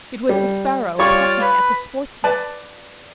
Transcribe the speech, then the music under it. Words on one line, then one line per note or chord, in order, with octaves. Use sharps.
It was the sparrow pecking at the sportsmen.
G3
G3 F4 C#5 D5 C#6
B4 B5
B4 D5 A5